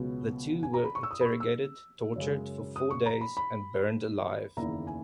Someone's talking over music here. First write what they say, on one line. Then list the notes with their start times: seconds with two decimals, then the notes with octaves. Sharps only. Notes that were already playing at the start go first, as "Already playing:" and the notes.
The two were interrogated, tortured for four days, and burned alive.
Already playing: C#2 B2 F#3 B3
0.63 G#5
0.74 A#5
0.85 B5
0.95 C#6
1.03 E6
1.11 D#6
1.21 B5
1.25 C#6
1.40 E6
2.16 F#2 C#3 G#3
2.76 D#6
2.91 C#6
3.06 A#5
3.21 B5
3.37 B5
4.57 F#1 E2 D#3 A#3 E4 A#5
4.87 G#5